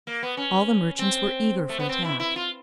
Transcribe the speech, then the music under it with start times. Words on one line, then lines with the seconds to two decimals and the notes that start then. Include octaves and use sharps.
All the merchants were eager for attack.
0.07 A#3
0.23 B3
0.37 C#4
0.99 C4
1.69 A3
1.79 B3
1.89 C4
2.05 E4
2.20 E4
2.36 F4